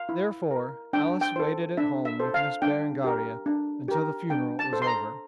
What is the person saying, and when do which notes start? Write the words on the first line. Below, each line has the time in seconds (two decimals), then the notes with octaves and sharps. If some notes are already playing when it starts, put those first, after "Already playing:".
Therefore, Alice waited at home with Miss Berengaria until the funeral was over.
Already playing: F5
0.09 E4
0.51 A#4
0.93 D4 G5
1.21 G5
1.36 A4 C5
1.77 D4 E5
2.05 E5
2.20 A4 C5
2.34 F5
2.62 D4 G5
3.04 G4 A#4
3.46 D4
3.88 G4 A#4
4.30 D4 G5
4.59 A5
4.73 A4 C5
4.82 C6
4.87 A#5